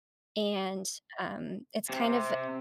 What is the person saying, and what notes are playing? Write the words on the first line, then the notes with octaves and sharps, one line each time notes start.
and, um, it's kind of
C3